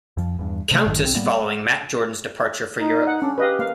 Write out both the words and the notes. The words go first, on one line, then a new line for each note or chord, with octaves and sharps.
Countess following Matt Jordan's departure for Europe.
F2 F3
E2 G2
C3 G3 A3
G#1 F#2 A2 D#3
B1 C4
A2 G3 A#3 B3
D#4
F#5
C#4 D4
G4 B4 D#5 F5
A#3 F5